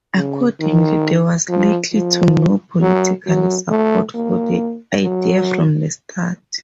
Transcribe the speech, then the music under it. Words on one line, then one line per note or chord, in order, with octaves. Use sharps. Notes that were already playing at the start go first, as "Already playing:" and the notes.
Accordingly, there was little to no political support for the idea from the start.
C#3
D#3
F3
F3
F#3
F#3
A3
A#3
F#3